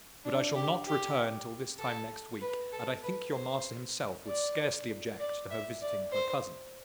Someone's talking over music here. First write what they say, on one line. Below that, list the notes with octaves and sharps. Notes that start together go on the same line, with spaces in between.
But I shall not return till this time next week; and I think your master himself would scarcely object to her visiting her cousin.'
D4
G4
G4
A4
B4
A4
B4
C5
D5
D5
E5
D5
C5